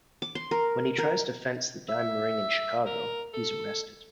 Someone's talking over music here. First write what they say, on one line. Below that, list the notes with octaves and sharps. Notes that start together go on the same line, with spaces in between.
When he tries to fence the diamond ring in Chicago, he's arrested.
D6
C6
A#4
A#4
E5
A#4
A4